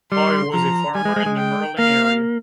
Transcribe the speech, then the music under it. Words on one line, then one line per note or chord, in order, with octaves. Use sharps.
Hoy was a farmer in the Merlin area.
G3 C6
F3 A#5
G3 G#5
G#3
G#3
G#3
G5
A#3 F5